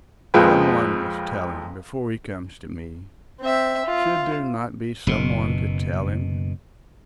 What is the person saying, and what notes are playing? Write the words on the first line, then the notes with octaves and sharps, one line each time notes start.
Some one must tell him before he comes to me. Should there not be some one to tell him?
A#1 F2 F3 G#3 B4 G5
C4 E5
F4
F#1 B2